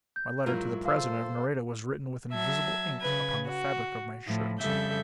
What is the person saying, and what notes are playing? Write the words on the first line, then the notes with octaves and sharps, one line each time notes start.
My letter to the President of Nareda was written with invisible ink upon the fabric of my shirt.
G6
G#2 F#3 E4 F4 A#4
A4 C5 F5 E6
F#3 E5 A5 G#6
C#3 B4 G#6
F#4
A2 F3
F2 C#3 G3 A4 E5 G6